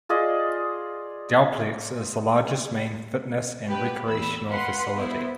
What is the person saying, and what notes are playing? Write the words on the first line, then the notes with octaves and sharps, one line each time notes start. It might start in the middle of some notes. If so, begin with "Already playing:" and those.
Dalplex is the largest main fitness and recreational facility.
F4 G#4 D5 D#5
B3 G4 B4
E2 B5 E6
B4 F5 F#5 C6
B3 E4 C5